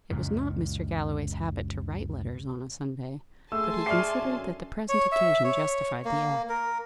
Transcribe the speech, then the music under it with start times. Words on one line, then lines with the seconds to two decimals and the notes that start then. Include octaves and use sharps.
It was not Mr. Galloway's habit to write letters on a Sunday, but he considered that the present occasion justified the act.
0.11 C#2 F#2 A#2
3.52 A3 G#4 G#5 A5 C6 E6
3.86 D5 E5 C#6 F6 C7
4.19 F#2 D3 C#4
4.89 C#5
5.12 E5
5.44 C#5
6.05 A#3
6.49 A#4